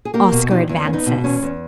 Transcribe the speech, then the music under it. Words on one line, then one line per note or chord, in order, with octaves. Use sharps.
Oscar advances.
G#4
A#3 G4 A#4
B2
E2 D#4 G4
E2 E4
D#4
A#3 C#4
B3 D#4
B2
E2 C#4
E2